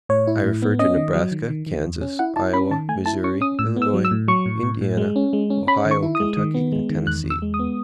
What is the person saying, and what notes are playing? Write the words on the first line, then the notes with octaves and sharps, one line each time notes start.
I refer to Nebraska, Kansas, Iowa, Missouri, Illinois, Indiana, Ohio, Kentucky and Tennessee.
A2 C#5
E4
A2
B3
C#4 D#5
D#3
F#3
D#3
D#3
D#3
E2
C#4
E4 F#5
E4 A5
C#4 B5
D#3 A5
A3 G#5
E4 A5
C#4 C#6
C#4 D#6
A2 E6
B3
E6
F#3
E6
A2
F#3 C#6
A2
A2
A2
G#3
C#4
G#3
C#4
C#4 B5
D#3
C#6
E4
D#6
G#3
D#3
B3
G#3
D#3
E2 F#6
E2
E6
G#3
D#6
B3